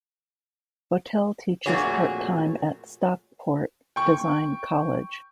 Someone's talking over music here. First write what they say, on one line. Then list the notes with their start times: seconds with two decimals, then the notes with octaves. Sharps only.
Votel teaches part-time at Stockport Design College.
1.66 F2 A#2 A3 F#4 G#4 C#5
3.96 G5 C#6